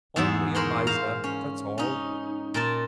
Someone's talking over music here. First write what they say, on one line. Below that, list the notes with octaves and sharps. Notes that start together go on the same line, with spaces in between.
Only a miser; that's all.'
E2 G#2 G#4 E5
A#4 C5 C#5 B5 C6
C5 F5 A#5
C#4
C#4 D#4
A#2 A#4 A5